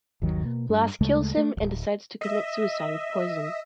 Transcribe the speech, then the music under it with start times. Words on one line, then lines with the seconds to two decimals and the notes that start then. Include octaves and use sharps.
Blas kills him and decides to commit suicide with poison.
0.22 G1 D#2 D#3 F#3
0.43 B2 A#3
0.69 G2
1.01 D2 C#3 G#3 A3
1.37 A3
1.57 D1 C#2
2.21 D#5 E5